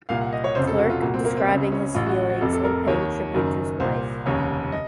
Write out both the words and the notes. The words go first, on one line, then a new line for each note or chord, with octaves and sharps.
Clerk, describing his feelings and paying tribute to his wife.
C2 A#2 F5
F#5
D#5
C#5
F1 F2 C#3 C5
A4
F#4
F4
C2 A#2 F#4
C4
A#3
C4
C#2 C#3 C4
C#4
A1 A2 F4
F#4
F#4
F1 F2 C3 A4
A4
A#4
D#2 D#3 C#5
F#1 F#2 D#3
C2 A#2 C5
F1 D#2 C#3 C#5
D#5